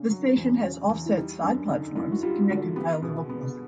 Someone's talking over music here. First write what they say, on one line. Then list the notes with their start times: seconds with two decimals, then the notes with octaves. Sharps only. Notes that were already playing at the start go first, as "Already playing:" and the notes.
The station has offset side platforms connected by a level crossing.
Already playing: C#3 D4
0.10 F#3
0.37 E2
0.63 C#3
0.90 E2
1.06 E4
1.16 G3 D#4
1.43 F#2 D4
1.69 D3 D#4
1.96 F#2 E4
2.12 F#4
2.23 G3 F4
2.49 D3 F#4
2.76 B3 G4
3.02 B2 G#4
3.29 B3